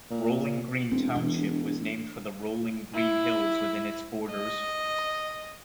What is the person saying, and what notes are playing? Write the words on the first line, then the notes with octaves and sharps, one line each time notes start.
Rolling Green Township was named for the rolling green hills within its borders.
A#2
E1 C4
E3 D4
E4 B5
D#5